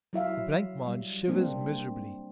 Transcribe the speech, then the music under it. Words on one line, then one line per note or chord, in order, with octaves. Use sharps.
The blancmange shivers miserably.
F#3 E4 E5 F5
G3
G3 A#3 C4 D4